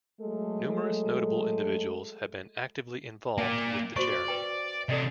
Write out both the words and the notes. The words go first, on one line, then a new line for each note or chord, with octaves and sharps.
Numerous notable individuals have been actively involved with the charity.
F#3 G#3 A3 A4
A#3 D5 G5
F#4 C5 D5 C#6
B4 G5
C3 D4 A4 D5 D#5